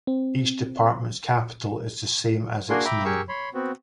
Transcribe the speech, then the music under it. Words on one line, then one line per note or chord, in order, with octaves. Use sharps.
Each department's capital is the same as its name.
C4
A#3 D4 F#4 G#4 A#4 C6
E5 G5 A#5 B5 D6
G4 G#4 A#4 C#6 E6
C#5 B5 C6
B3 C4 F#4